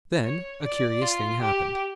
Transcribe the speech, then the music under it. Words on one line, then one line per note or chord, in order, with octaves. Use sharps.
Then a curious thing happened.
C#5
D5
F4
G4